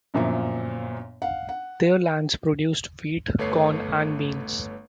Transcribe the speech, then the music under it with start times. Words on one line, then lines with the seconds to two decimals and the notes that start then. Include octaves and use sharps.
Their lands produced wheat, corn and beans.
0.14 G1 F#2 A#2 F3 E5
1.22 F5 F#5
1.49 F#5
3.39 G1 A3 B4 C#5 C7